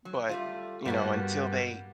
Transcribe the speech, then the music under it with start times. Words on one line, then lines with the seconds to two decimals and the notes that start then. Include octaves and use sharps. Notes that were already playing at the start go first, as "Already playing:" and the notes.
but, you know, until they
0.05 F#3
0.29 G3 A3 F4
0.85 G2 A#3 B3 F#4